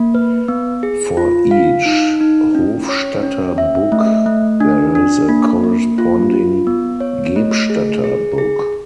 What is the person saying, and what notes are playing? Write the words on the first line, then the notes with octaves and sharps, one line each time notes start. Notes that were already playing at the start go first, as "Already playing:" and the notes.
For each Hofstadter book, there is a corresponding Gebstadter book.
Already playing: A#3
B4
B3
G#4
F4
F5
D#4
D#4
C#4
C#5
C#4
E5
A3
A3
D4
D4
A#3
A#3
F4
F4
B3
C#5
A3
G#4
G#4
G#4